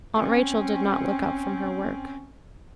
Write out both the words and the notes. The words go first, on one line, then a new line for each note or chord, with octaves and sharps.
Aunt Rachel did not look up from her work.
C4 C#4